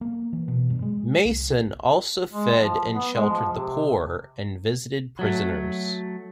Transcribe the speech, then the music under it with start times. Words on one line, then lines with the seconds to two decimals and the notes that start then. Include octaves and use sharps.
Mason also fed and sheltered the poor, and visited prisoners.
0.01 A#3
0.33 E3
0.48 B2
0.70 G2
0.82 G#3
1.25 C2
2.33 G#3
2.58 F3
2.94 B3
3.15 G#3
3.29 F3
3.52 C3
5.19 F#3 A3